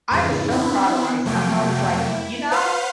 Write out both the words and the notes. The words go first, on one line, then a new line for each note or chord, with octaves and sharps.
I was so proud of myself. I was like, "You know,
F2 G#2 C#3 E3
B3 C4 D4 E4
F2 C3 F#3 A3 A#3 G5
E4
B4 C5 F5 F#5